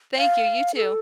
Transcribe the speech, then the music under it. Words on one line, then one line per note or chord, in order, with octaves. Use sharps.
Thank you, you too.
F5
A4